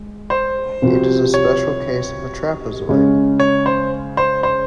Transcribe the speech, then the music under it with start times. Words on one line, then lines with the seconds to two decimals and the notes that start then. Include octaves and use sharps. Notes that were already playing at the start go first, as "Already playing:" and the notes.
It is a special case of a trapezoid.
Already playing: G#3
0.30 C5
0.82 C2 C3 F3 C4 F#4
1.34 C#5
2.89 C#3 G#3 C#4
3.40 C#5
3.66 C5
4.17 C5
4.43 C5